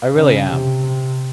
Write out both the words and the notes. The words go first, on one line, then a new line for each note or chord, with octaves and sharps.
I really am.
C#3
C3
C3